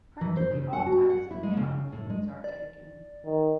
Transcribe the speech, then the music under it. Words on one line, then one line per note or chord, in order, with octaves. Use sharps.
Practically all types of animal foods are taken.
E3
C5
C#3
F#5
F#4
F#5
E4
G#3
C#3
A2
G#3
D5
D#3